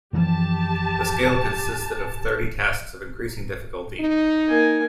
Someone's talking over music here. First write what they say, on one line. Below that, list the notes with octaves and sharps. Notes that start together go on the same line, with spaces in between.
The scale consisted of thirty tasks of increasing difficulty.
F#2 E3 F3 G4 A5
D#4
A#3 G#5